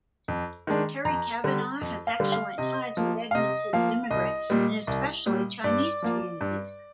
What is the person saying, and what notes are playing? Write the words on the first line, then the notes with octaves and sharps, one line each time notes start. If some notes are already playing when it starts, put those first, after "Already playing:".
Terry Cavanagh has excellent ties with Edmonton's immigrant and especially Chinese communities.
F2
D#3 G#3 D4
F2 A#5
D3 G3
F2
F5
D3 G3
F5
C3 D#5
F3 A#3
F5
C3 D#5
F3 A#3 F5
C2 D#5
A#2 G3
C2
A#2 G3
G2 D5
F3 A#3 F4
G2